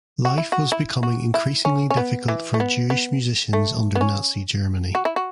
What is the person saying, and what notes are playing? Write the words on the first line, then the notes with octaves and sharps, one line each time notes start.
Life was becoming increasingly difficult for Jewish musicians under Nazi Germany.
F#4
E4
F#4
E4
F#4
E4
C#4
C#4
B3
E3
A3
B3
B3
A3
B3
C#4
F#4
E4
F#4